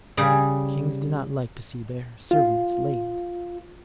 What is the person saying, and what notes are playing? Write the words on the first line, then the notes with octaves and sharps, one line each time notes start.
Kings do not like to see their servants lamed.
C#3 G3 G#4
F4